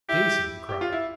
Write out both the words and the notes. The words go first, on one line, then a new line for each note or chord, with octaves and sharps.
"Jason!" he cried out.
E4 G4
G4
F4
E4